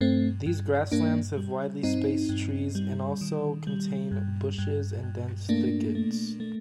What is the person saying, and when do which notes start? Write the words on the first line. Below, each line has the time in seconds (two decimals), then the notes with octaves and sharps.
These grasslands have widely spaced trees and also contain bushes and dense thickets.
0.01 G2 A3 C4
0.46 G2
0.92 G2 A#3 D4
1.37 G3
1.83 G2 C4 D#4
2.29 G2
2.75 G3
3.21 D#3
3.67 G3
4.11 G2
4.58 G2
5.03 G2
5.49 A3 A#3 D4
5.95 A3
6.40 A3